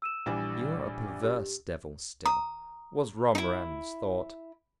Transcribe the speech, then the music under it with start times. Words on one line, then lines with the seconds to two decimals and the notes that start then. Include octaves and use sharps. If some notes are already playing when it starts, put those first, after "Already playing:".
"You're a perverse devil still," was Romarin's thought.
0.02 E6 D#7 E7
0.26 A#1 E3 G3
1.23 G4
2.25 A#5 D#6
3.35 D#4 E4